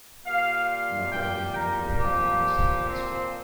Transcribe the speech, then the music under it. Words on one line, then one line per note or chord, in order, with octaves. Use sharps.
My guardian angel had not been asleep at the switch.
A#2 G3 F5
F5
G5
A#4
A#2 F3 G4
C4